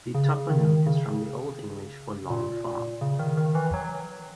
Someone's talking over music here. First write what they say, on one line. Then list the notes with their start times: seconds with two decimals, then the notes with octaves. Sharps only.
The toponym is from the Old English for "long farm".
0.15 C#3
0.50 D#3
0.86 C#3
2.30 A#2
2.66 A#2
3.01 C#3
3.19 D#3
3.37 D#3
3.55 E3
3.74 F#3